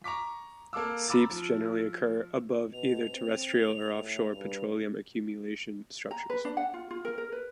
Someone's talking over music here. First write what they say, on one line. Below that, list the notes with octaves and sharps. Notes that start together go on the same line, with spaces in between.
Seeps generally occur above either terrestrial or offshore petroleum accumulation structures.
A#5 C#6 D6 B6
A#3 A4 F5 D6 E6
A#5 B5 D6 E6 A6
F3
B2 F7
C4
A2 F7
G2
A#5
B4
D4
F#5
F4
F4
A#4
A#4
B4